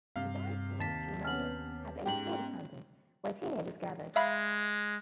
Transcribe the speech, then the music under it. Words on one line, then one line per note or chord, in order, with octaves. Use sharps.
The dime store, she remembers, had a soda fountain, where teen-agers gathered.
G2 C3 F5
D#2 A5 B6
B3 C#4 F6 F#7
G#2 G4 G5 F#7
G#3 E5 F5 B5